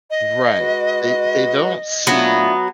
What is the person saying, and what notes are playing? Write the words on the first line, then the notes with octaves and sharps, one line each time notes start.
Right, they they don't see
D#5
G#3 F#4 B4
F#3 A3 B3 D4 F4